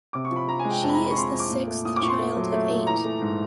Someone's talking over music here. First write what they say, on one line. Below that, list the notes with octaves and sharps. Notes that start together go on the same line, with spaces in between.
She is the sixth child of eight.
C3 D6
C#6
F3
B5
F3 A#5
G#5
G#3
G5
F2 A5
B5
A#5
G#3
B5
C#6
F2 C6
F2
D6
A#2
A3
A#2 D#6
D6
A#2 C#6
C6
A3
F#3
A3
A#2
E3 A#5
A3
G#2